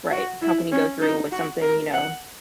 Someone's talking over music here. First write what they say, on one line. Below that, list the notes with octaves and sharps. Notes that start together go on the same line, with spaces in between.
Right, how can you go through with something, you know?
F#4
E4
C#4
D#4
F#4
A#4
F#5